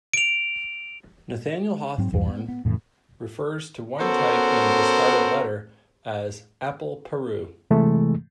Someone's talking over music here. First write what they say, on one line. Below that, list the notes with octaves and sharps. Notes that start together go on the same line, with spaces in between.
Nathaniel Hawthorne refers to one type in "The Scarlet Letter" as "apple-Peru".
D7 F7
G#2 F#3 C4
A#1 E2 G2 F#3
B3
B3
F2 A2 C#3 E3
B3 C#4 F#4 A4 A#4 C5
C3 E3 G#3 A3